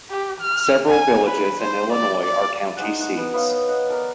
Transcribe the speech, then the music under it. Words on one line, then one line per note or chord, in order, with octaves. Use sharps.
Several villages in Illinois are county seats.
G4
F6
G#5
B4
C5
D5
D5
D#4 G#4 C5 F#5
F#5 C#6
B3
B3 C#5 F5
D#5 F#5
A#4 D5